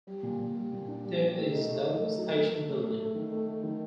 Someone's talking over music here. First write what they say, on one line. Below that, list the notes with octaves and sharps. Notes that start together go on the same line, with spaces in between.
There is no station building.
G3
A#2
A#2
G3
A#2
D4
G3
G3
A3
D#4
A3
D#4
A3
F#3
A3
A3
A3
A3
A3
D#3
A3
A3
D#3